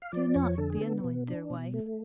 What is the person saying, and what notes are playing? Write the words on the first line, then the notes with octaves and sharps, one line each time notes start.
'Do not be annoyed, dear wife.
F5
F3 D5
F2 C#5
D3 A4
G#4
B3 A4
B2
D4
B2
A3